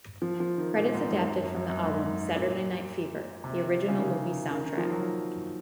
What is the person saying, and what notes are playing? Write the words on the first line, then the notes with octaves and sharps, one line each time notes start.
Credits adapted from the album "Saturday Night Fever: The Original Movie Sound Track".
F3
F3
D#3
A#2
G#2
F#2
F#2
F#2
F#2
F#2
G#2
A#2
C3
C#3
D#3
D#3
D#3
F3
F#3